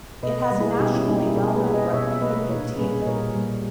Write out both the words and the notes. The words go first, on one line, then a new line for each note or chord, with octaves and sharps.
It has a nationally well known rugby union team.
B2 B4 D#5
B4 D#5
G3 A#3
E4 G#4
B2 D#4 G4
C#4 E4
G3 A#3 D#4 G4
E4 G#4
B2 G4 A#4
G#4 B4
A#3
B4 D#5
B2 C#5 E5
E5
A#3 B4 D#5
A#2 A#4 C#5
G3 A#3 G#4 B4
D#5
A#2 A#4 C#5
G3 A#3